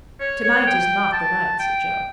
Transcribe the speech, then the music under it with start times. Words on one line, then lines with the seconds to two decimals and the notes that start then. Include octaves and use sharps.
"To-night is not the night," said Joe.
0.20 C#5
0.44 C#5
0.67 G5
1.13 A5
1.59 G5